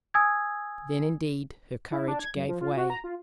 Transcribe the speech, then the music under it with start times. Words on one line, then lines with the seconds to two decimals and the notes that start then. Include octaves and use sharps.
Then, indeed, her courage gave way.
0.14 G#5 D#6 E6 G#6
1.92 E4
2.08 D4
2.19 G#6
2.36 F#2
2.48 F3
2.61 F4
2.77 F#4
2.90 A#5
3.04 F4